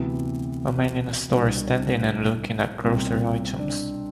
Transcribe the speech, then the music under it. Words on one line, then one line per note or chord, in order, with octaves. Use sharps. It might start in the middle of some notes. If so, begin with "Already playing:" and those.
A man in a store is standing and looking at grocery items.
Already playing: D2 C3 E3 B3
C2 B2 D4
C2 B2 C4
D4